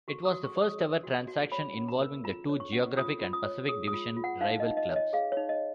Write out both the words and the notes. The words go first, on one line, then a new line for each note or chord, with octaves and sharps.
It was the first-ever transaction involving the two geographic- and Pacific Division-rival clubs.
F#4 C#6
D#6
F#4
C#6
C#5
D#6
A#4
F#4
F#4
C#5 B5
C#4
A#5
A#4
F4 A#5
C#5
C#6
C#4
F4 D#6
F4
D#6
C#5
G#4 D#6
D#6
F4
F4
F#5
D#4 F5
D#5
D#4
D#5
C#5
D#5
G#4 F5
C#5
D#4
D#5